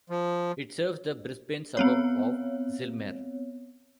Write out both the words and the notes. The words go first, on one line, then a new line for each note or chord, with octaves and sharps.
It serves the Brisbane suburb of Zillmere.
F3
B3 C4 C#5